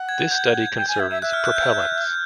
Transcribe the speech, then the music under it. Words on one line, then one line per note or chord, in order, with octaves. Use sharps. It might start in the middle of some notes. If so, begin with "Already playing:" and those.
This study concerns "Propellants".
Already playing: F#5
G#6
G6
G5
G#5
E5
E5
E5 F#6
F6
F#6
G6